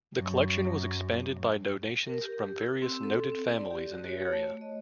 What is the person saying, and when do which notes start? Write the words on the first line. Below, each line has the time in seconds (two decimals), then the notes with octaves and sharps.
The collection was expanded by donations from various noted families in the area.
0.17 F#2
2.07 A#4
2.22 G4
2.59 E6
2.82 C4
3.03 A4
3.32 C4
3.49 D5
3.71 G4
3.92 F#4
4.08 C#5
4.33 A3
4.61 D#5